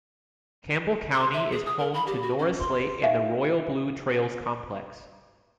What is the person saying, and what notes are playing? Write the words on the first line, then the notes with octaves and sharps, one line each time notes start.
Campbell County is home to Norris Lake and the Royal Blue Trails Complex.
C6
E5
G#4
D#6
A#4
B5
G4
F#4
C#4
C6
D#4 G4 E5 F5 G#5